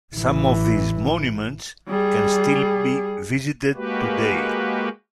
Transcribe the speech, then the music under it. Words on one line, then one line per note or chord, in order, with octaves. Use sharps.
Some of these monuments can still be visited today.
A1 E3
G3 G#4
G#3 A#3 F#4 G4 B4